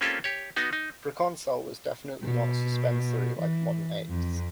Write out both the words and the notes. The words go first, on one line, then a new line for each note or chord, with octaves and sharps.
"Proconsul" was definitely not suspensory like modern apes.
A#3 C4 C#4 F4 G4 A4
G4 C#5
B3 D#4 F#4
D#4
B2
E3
F2